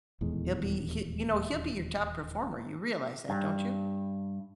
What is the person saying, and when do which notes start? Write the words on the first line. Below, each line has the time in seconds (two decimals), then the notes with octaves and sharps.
He'll be he you know, he'll be your top performer, you realize that, don't you?
0.21 D#1 E2 A2 G#3
3.29 G2